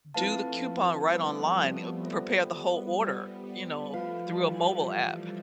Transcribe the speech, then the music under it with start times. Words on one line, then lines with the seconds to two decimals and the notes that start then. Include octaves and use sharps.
do the coupon right online, uh, prepare the whole order, you know, through a mobile app,
0.14 F3 A3 C4 E4 B4 F5 A5
1.09 G3 B3
2.04 F4 A4 C5 E5
2.98 G3 B3
3.46 G3 B3
3.93 F3 A3 F4 B4 F5
4.25 E3 G3
4.56 F3